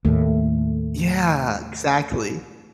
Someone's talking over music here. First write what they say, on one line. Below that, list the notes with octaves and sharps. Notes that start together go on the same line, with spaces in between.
Yeah, exactly.
D#2 A2 A3